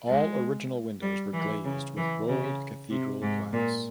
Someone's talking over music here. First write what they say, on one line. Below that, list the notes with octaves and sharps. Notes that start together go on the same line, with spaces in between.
All original windows were glazed with rolled Cathedral glass.
G#3
G3
E3
C#3
E3
C#3
C3
G#2
A#2